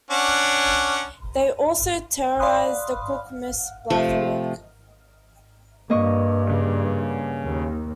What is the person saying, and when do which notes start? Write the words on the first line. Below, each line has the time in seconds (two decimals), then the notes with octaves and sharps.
They also terrorize the cook, Mrs. Blatherwick.
0.11 C#4 D4 F#5
2.39 D5 F5 B5 C6 D#6 F#6
3.90 C3 F3 A3
5.90 G2 A#3 D#5 C#6
6.50 C#3
7.44 D#2